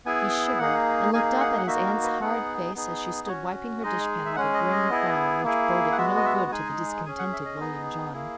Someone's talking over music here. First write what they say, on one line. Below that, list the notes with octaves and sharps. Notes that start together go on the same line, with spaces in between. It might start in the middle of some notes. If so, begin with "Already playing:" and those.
He shivered, and looked up at his aunt's hard face as she stood wiping her dish-pan with a grim frown which boded no good to the discontented William John.
B3 E4 G#4 G#5
A#3 D#4 G#4 F#5
A#3 D#4 G#4 G#5
F#5
F#5
A#3 D#4 F#4 E5
A#4
B4
B3 D#4 G#4 F#5
B3 D#4 G#4
C#4 F#4 C#5
G#3 D#4 G#4 D#5
E5
G#3 C#4 G#4 F#5
D#5
D#5
B3 E4 G#4
A#3 E4 G#4
F#5
G#3 B3 F#4 E5
D#5
E5
G#3 D#4 G#4 G#5
C#4 G#4 G#5
F#5
E5
D#5
B3 D#4 G#4
A#3 E4 G#4